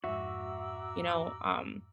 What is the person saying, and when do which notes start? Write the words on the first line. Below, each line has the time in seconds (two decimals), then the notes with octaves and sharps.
you know, um,
0.04 F2 G#2 F#4 E5 A#5 D6 E6